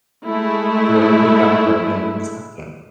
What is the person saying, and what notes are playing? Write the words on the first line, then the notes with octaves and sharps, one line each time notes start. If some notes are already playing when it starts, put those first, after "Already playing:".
So, you gotta learn that and accept it,
G#3 A3 E4